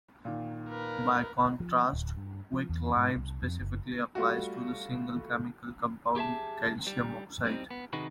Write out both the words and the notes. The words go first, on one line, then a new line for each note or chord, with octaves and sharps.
By contrast, "quicklime" specifically applies to the single chemical compound calcium oxide.
A#2 D#3
A#4 B4
F3
D1
G2
F3
E2
G#2
C2
F2
F#1
G3 A3 F4 F#4
G4 G#4 E5 A5
G3
G3 C4 D#4
B3
C3 D#3 D#4 F#4 G#4 B4